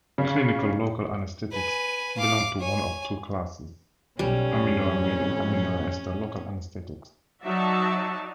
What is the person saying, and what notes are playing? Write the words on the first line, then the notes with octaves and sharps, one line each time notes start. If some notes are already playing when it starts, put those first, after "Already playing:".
Clinical local anesthetics belong to one of two classes: aminoamide and aminoester local anesthetics.
C#3
B4 G#5
F5 D6
C#5 G#5
B1 G3 C#4
F2 A2
F#3 D#4 F#4 D5 E5 A5